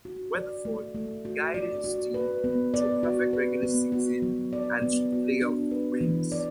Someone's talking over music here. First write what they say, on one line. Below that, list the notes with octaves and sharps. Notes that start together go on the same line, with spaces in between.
Weatherford guided his team to a perfect regular season, and two playoff wins.
F#4
D5
A3
A3
F#4
D5
F#4
B4
B3
D5
F#4
B4
B3
F#4
F#3
D5
B3
F#4
D4
B4
E3
D5